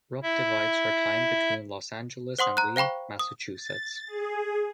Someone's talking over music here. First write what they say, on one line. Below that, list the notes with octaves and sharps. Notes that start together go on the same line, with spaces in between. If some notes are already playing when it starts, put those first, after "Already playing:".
Rupp divides her time between Los Angeles and Lee, Massachusetts.
E4 E5
C5 F#5 C6 D#6
A#5 F#6
C5 F5 G5 B5 C#6
D#6
A6
G#4